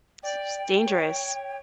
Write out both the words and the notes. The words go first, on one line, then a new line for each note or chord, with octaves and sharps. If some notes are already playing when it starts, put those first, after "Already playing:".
S dangerous.
D5 G5
C#5